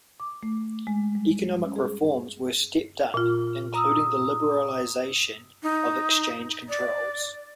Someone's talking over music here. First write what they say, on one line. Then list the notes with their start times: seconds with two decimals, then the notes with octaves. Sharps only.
Economic reforms were stepped up, including the liberalization of exchange controls.
0.20 D6
0.43 A3
0.87 G#3
1.15 G3
1.64 C#4
1.76 G#4
3.14 A#2 F4
3.74 A#5 D#6 E6
5.63 D#4
6.69 D5